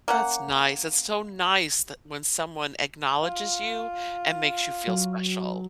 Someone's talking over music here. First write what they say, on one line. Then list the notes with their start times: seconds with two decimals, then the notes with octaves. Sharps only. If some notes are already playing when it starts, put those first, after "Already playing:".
That's nice, it's so nice that when someone acknowledges you and makes you feel special.
0.08 A#3 C#4 F#5
3.23 F4
4.87 F#3